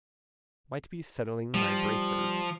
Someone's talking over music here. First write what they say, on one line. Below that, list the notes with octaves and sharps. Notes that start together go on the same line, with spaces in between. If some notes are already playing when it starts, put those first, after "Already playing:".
Might be settling my braces.
F3 G3